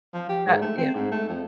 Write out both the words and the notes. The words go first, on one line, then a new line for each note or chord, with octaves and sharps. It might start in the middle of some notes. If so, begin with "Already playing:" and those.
but, you know.
F3
G4
G#2
A3
C4
G#2
A3
F2